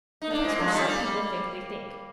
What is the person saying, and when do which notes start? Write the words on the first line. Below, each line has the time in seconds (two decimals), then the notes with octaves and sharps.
The place where some people think they think.
0.22 D#4
0.29 A#3 D4
0.44 G#3 C4
0.52 A#3
0.58 F3 G#3
0.73 D#3 G3
0.88 G3 A#3